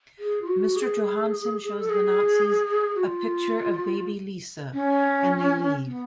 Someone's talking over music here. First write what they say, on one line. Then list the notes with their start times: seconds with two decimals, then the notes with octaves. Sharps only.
Mr. Johansen shows the Nazis a picture of baby Lise, and they leave.
0.19 G#4
0.42 F4
0.48 F#4
0.76 G#4
1.78 A4
1.90 G#4
2.96 F#4
3.03 F4
4.74 C#4
5.87 B3